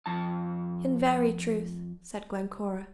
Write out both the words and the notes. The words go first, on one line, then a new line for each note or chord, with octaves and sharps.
"In very truth," said Glencora.
F2 A5